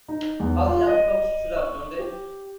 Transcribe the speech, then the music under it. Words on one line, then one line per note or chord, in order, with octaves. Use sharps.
How the young folk shoot up, don't they?
D#4
E2
F4
D#5
C#6
G4